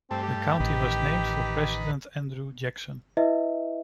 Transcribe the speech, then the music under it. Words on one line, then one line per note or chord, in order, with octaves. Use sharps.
The county was named for President Andrew Jackson.
G2 A3 C4
G4
A1 D#3 B4
E4 B4 D#5 E5